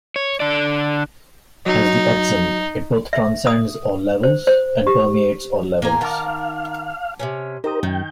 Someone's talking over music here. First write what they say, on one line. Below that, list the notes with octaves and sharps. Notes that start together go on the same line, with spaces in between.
As the Etzem, it both transcends all levels, and permeates all levels.
C#5
D3 D5
F#3 D#4
E5
D#6
C5
C5
G4
A2 A#3 G#5 A#5
D#3 A#4 F5 F#5 A5 D6
C3 B3 C#4
D#4 G4 A#4 C5 D#6
F#2 D#3 G5